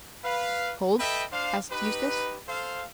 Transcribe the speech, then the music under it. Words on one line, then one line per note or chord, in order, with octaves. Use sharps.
"Cold?" asked Eustace.
B4 F5
A4 B4 D#5 E5 G5
D4 C5 F5
D#4 G4 B4
A4 C5 F5